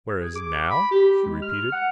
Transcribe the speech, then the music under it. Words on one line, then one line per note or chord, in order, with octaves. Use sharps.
"Whereas now?" she repeated.
G#4
D6
B5
G4
G#3
F6
F#5